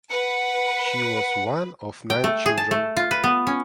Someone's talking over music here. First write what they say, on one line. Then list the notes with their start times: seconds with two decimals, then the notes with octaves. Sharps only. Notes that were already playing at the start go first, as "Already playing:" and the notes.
She was one of nine children.
0.10 B4 F#5
2.10 G5
2.24 A3
2.46 G#4
2.58 A5
2.71 A3
2.97 F4
3.11 B4
3.24 B3
3.47 C#4